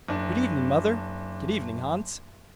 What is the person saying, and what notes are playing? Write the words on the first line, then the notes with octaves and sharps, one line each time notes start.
'Good evening, mother.' 'Good evening, Hans.
F#1 D4